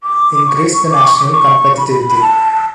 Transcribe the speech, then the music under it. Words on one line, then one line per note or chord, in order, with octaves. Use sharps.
Increase the national competitivity.
D6
C#6
D6
C#6
D6
C#6
B5
B5
A5